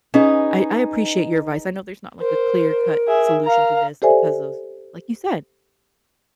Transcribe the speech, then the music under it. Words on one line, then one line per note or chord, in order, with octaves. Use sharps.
I I appreciate your advice, I know there's not, like, a clear-cut solution to this because of like you said,
C#4 D#4 G#4 B4
A#4 C5
G#4 E5
F5 A#5
G4 A4 C5 D5 E5 G#5